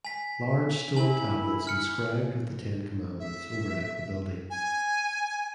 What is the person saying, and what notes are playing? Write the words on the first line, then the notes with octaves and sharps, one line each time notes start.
Large stone tablets inscribed with the Ten Commandments overlook the building.
G#5 B6
E4 G#5 F#7
F6 C#7
E5
G#5